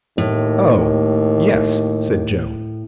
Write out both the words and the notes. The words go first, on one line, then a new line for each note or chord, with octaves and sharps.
"Oh, yes," said Joe.
D#2 A2